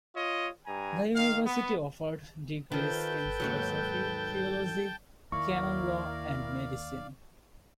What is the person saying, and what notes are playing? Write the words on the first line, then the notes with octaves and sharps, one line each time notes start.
The university offered degrees in Philosophy, Theology, Canon law and Medicine.
F4 C#5 D#5
G2 G#5 A#5
D#3 F5
B3
D#3 F3 A4 B4 G5 A5 G6
D#2 G#2 F#3
D#2 E4 A#4 D5 F5 C#6